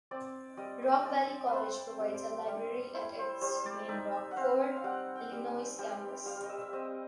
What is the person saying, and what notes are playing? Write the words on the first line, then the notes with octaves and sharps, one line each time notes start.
Rock Valley College provides a library at its main Rockford, Illinois Campus.
C4 D5
G3 D#5
D#5
C4 D5
B4
C4 C5
G3
G3
E4 C5
C5
G3 C5
D5
D#4 E5
F#5
C4 F5
F5
G3 F#5
G5
G3
G#5
G3 G5
G3 F5
D#5
E5
E5
C4 D#5